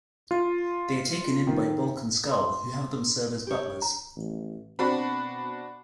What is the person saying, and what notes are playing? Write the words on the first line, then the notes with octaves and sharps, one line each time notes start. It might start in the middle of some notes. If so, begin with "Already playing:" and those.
They are taken in by Bulk and Skull, who have them serve as butlers.
F4
D#3
C6
G4 C#5
A#5
A1
B2 C4 D4 F#4 B5